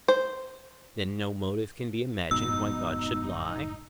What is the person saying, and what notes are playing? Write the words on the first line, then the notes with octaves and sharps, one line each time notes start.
Then no motive can be imagined why God should lie?
C5
F1 G#2 B2 D#4 E6